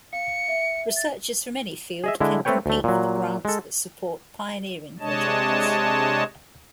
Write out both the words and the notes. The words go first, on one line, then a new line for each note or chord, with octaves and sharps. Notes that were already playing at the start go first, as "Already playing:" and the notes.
Researchers from any field can compete for the grants that support pioneering projects.
F5 C#7
E5
A6
G#4 D#5 E5
D3 G#3 E4
A3 C4 A4 B4 C#5 G5
D2 A3
A#2 F#3
G#3 A4
C3 G#3 D4 C#5 D#5 A5